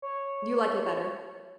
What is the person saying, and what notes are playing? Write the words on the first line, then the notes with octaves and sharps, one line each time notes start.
You like it better?
C#5